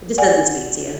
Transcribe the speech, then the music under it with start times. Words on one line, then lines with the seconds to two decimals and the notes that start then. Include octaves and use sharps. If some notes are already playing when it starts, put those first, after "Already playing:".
It just doesn't speak to ya.
0.18 D5 F#5 G#5